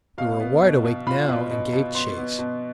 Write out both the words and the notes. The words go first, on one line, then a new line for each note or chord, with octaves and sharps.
We were wide awake now and gave chase.
B2 F5
B3
B2
B2
F4 B5
B2
B2
B2
B3 C6
B3
B2